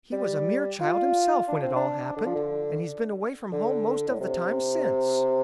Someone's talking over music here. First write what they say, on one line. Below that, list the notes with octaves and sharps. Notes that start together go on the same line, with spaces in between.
He was a mere child himself when it all happened, and he's been away from home most of the time since.
G3
F4
D4
C4
D4
D3
F3
D3
D3
A2
C3